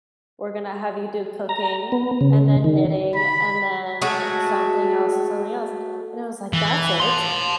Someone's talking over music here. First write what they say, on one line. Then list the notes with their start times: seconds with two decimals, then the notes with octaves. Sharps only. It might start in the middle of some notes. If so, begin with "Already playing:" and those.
we're gonna have you do cooking and then knitting and then something else and something else." And I was like, "That's it?
1.49 A#5
1.92 B3
2.21 C#3
2.64 D#3
3.15 B5
4.02 F#3 G#3 A3 F#4
6.53 E3
7.00 A5 C6